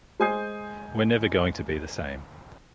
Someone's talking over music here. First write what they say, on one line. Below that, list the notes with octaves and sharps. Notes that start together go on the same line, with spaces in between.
We’re never going to be the same.
G#3 C5 G#5 D#6 G6 C7